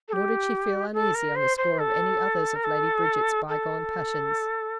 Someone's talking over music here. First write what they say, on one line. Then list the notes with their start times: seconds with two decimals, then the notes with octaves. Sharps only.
Nor did she feel uneasy on the score of any others of Lady Bridget's bygone passions.
0.08 A4
0.13 G4
0.93 A4
1.15 A#4
1.36 C5
1.57 C5
1.79 A4
2.56 A#4
2.64 A4
3.49 A4